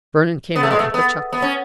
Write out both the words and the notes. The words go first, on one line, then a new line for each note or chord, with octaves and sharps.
Vernon came out with a chuckle.
B3
A3
G#3
A3
B3
B3
C#4